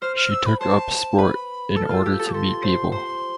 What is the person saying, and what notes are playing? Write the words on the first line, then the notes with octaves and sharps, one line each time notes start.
She took up sport in order to meet people.
C5 F6
F6
E6
B5
C5 A5
B4 B5
A4 E6
F6
F4 E6
G4
A4
A4 C6
C5
C5 C6